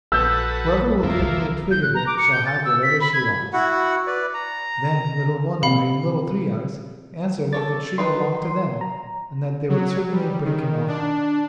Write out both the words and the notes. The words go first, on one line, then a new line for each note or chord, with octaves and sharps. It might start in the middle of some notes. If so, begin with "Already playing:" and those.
Whoever will give me a twig of it shall have whatever she wants.' Then Little One-eye and Little Three-eyes answered that the tree belonged to them, and that they would certainly break him off a twig.
A#1 F#4 A4 B4 E6 G6
F2 F3 A#3 E4
C2
G6
F#6
A#5
D6
C#7
G6
A6
E6
B6
B5
G#6
E4 F#4 F#5
B4 D5
A#5
C3 F5 B5 C#7
A4 C#5 D5 A6
D#3 D#4 B4 C6
C6
A#5
F#3
G3
D#3
D4